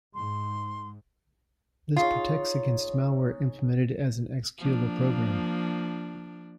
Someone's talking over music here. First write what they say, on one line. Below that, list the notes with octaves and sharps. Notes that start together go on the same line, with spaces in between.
This protects against malware implemented as an executable program.
G#2 C6
D#4 F4 G#4 C#5
F3 A#3 D4